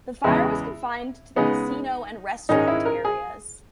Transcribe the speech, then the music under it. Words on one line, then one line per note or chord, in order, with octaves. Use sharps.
The fire was confined to the casino and restaurant areas.
E2 C#3 G#3 B3 E4
C#3 G#3 B3 D#4
G#2 D#3 G#3 C#4 D#4
E4
A#4
G#4